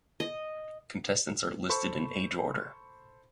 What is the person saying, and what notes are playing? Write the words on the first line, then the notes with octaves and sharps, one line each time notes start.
Contestants are listed in age order.
D#5
A4 C5 B5 C#6